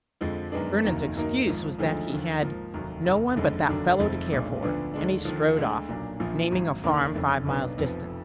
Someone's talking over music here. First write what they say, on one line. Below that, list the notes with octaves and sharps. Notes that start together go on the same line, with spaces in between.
Vernon's excuse was that he had "no one but that fellow to care for", and he strode off, naming a farm five miles distant.
F2 D3 F3 G#3
F#2 D#3 G#3 B3 D4
F1 D#2 D#3 F#3 A#3
F#2 D#3 F#3 A#3 D#4
G#1 G#2 F3
D2 D3 F3 G#3 D#4
D#2 D3 F3
G#2 F3 A#3
F1 D#2 D#3 F#3
F1 D#2 D#3
F#1 F2 D3 G#3
F1 D#2 D3 F#3 D4
F1 F2 F3 G#3
B1 A#2 G#3 D4
D2 D3 F3 B3 D4
D#2 D3 G#3 D4
D#2 D3 F3
D2 D3 G#3
B1 A#2 F#3 D4
A#1 A#2 F3
G#1 G#2 F#3
F1 D#2 D#3 A#3 D4
F#1 F2 D3
B1 B2 F#3 B3 D4
F1 F2 F3 B3